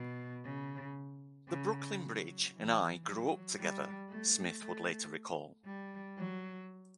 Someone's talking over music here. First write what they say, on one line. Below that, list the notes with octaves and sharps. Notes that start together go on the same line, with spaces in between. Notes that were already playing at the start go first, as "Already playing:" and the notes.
"The Brooklyn Bridge and I grew up together," Smith would later recall.
Already playing: B2
C#3
C#3
F#3
E3
F#3
G3
A3
A3
G3
F#3